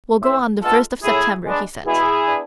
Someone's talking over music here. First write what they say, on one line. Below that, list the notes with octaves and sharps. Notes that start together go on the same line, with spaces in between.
"We'll go on the first of September," he said.
A2 C5 E5
G#3 B3 D4 F4 A4
A2 E4 G#4
G#3 B3 D4
B2 E4 G#4
B3 D4